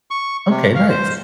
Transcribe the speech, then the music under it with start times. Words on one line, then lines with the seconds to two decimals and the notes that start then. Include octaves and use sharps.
Okay. Nice.
0.11 C#6
0.49 C3
0.75 F5
0.89 C5